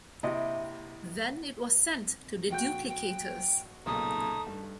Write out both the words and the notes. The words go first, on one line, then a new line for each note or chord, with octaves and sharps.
Then it was sent to the duplicators!
A#1 C3 E4 G4 D#5
A#1 F#4 G5 G6
G5
B1 A#2 C#3 A3 D#4 A#5 D#6
G2